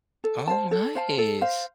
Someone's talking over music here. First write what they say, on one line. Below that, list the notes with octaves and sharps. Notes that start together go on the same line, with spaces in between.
Oh, nice.
A4
C5 F5 A5
A4
C5 F5 A5
A4
C5 F5